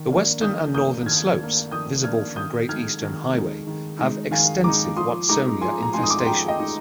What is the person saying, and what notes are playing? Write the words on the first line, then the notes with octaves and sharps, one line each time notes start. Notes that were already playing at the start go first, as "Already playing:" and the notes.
The western and northern slopes, visible from Great Eastern Highway have extensive 'watsonia' infestations.
Already playing: D#3
A#3 D4
D#3 D#6 G6
A#3 D4 D#6 G6
D#3 F6 G#6
A#3 D4
D#3 D#6 G6
A#3 D4 F6 G#6
D#3 D#6 G6
G#3 D#4 F6 G#6
D#3
G#3 D#4
D#3
G#3 D#4
D#3 F5 G#5
G#3 D#4 A#5 D6
F3 C6 D#6
G#3 D#4 A#5 D6
F3 G#5 C6
A#5
G#3 D#4 G#5 C6
D#6
D6
C6
F3 G5 A#5
D#5 G5
G#3 D#4